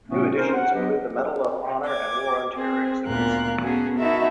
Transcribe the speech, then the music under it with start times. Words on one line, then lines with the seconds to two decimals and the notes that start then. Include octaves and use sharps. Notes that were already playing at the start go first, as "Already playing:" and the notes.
New additions include Medal of Honor and War on Terror exhibits.
0.07 A2 C3 A3 B3 C#4
0.35 C4 C#4 D#4 A#4 C5
0.54 F#5
0.73 F#3 B3 D4 G4 B4 D#5
1.85 D6 G#6
2.55 C4 G#4
3.06 D2 A#2 B3 A#4 F5 F#6
3.60 B3 C#4 F#4 G#4 A4
3.98 D#4 E4 F#4 A#4 E5 A5